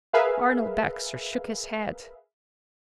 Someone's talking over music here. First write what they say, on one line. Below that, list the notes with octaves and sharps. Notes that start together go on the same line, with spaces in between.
Arnold Baxter shook his head.
G#4 A#4 B4 E5 F5